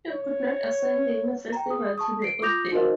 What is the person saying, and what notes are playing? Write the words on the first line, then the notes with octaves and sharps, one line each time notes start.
It could not assign the new festival to the old day.
C#5
G5 A#5
G#4 D#6
A5 C#6 D#6
C7 D7
F4 D6 D#6 G6 A#6 F7
D#4 F#4 A#4 C5 D#5 F5